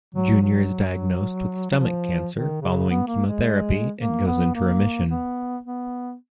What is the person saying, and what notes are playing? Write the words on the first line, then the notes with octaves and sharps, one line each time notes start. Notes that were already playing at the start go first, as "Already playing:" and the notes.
Junior is diagnosed with stomach cancer; following chemotherapy, it goes into remission.
F#3
F#3
F#3
F3
D#3
C#3
B3
A#3
G#3
A#3
B3
A#3
B3
B3